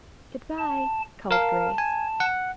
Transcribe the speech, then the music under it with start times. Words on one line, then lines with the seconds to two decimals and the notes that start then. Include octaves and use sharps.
"Good-bye," called Grace.
0.58 A5
1.31 A#4 F5 A5
1.78 G#5
2.20 F#5